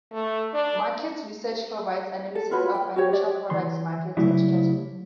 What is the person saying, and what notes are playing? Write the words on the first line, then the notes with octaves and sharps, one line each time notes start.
Markets Research provides analyses of financial products, markets and strategy.
A3
D4
A4
F4 F#4 B4 C#5
G5
F#4 G4 C#5
G4 D5
E3 C6
C#3 F#3 G3 A3 E4